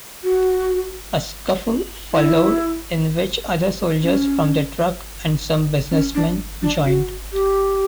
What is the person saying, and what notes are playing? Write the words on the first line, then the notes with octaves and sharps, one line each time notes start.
A scuffle followed in which other soldiers from the truck and some businessmen joined.
F#4
E4
C#4
C#4
D4
D4
F#4
G4